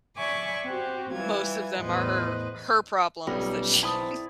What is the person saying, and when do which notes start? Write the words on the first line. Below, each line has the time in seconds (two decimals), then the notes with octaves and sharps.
most of them are her her problems that she
0.17 D5 E5 G#5 B5 C#6 D6
0.66 C4 F#4 G4
1.13 E3 G3 F4 G#6
1.80 E2 A2 B4 C5 D#5
3.27 B1 G3 B3 C#4 D#4 F4
3.83 C4 E4 D5 A5 B5 D#6